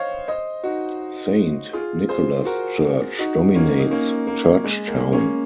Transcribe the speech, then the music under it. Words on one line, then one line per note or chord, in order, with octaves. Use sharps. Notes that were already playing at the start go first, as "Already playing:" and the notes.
Saint Nicholas Church dominates Church Town.
Already playing: C5 C#5 D#5 F5
C5 D#5
D#4 F#4
F4 G#4
G#4 C5
F#4 A#4
D#4 F#4
A#3 C#4
D#4
A#3 C#4
A#3
G#3
A#3
A#3 C#4